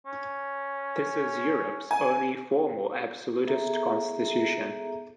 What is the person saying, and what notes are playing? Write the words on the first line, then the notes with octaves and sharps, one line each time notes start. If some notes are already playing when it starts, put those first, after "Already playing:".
This is Europe's only formal absolutist constitution.
C#4
G#5
B3 G#4 A4 E5 A#5